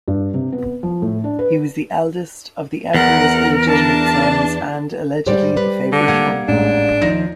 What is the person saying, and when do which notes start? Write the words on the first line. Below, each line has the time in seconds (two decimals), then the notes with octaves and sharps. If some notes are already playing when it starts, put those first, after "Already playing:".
He was the eldest of the emperor's illegitimate sons and allegedly the favourite one.
0.08 G2
0.34 C3
0.52 B3
0.83 F3
1.02 A2
1.24 D4
1.39 B4
2.94 E2 A#4 F#5
3.68 D4 A5
5.26 G#2 G3 G4 C5 D5
5.57 G3 B4
5.92 D3
6.08 G3 A#3 F#5 G#6
6.48 A1 G#2 D4
7.02 D#2 F3 D#4 A#6